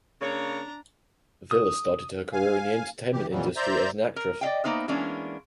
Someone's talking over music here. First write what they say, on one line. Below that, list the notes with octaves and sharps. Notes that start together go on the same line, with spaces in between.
Villa started her career in the entertainment industry as an actress.
C#3 A#3 D4 C#5 A#5
D#6
F5 G#5
E3 G4
F2 A#2 E3 F#3 G3
C5 D5 E5 A#5 G6
A#4
D5 D#5 F5 G5
A#3 B3 D#4 C5 E5
E3 G#3 A#3 B3 C#4 D4